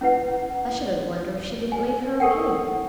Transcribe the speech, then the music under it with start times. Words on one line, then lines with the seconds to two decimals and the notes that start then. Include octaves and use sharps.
I shouldn't wonder if she didn't leave her a penny.
0.01 C#4 E4 B4 F#5
1.72 G#5
2.20 G4 A4 A#4 F#5 G5